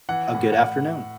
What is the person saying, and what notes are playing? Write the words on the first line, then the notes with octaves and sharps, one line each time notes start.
a good afternoon.
E3 F#5
A2
F#5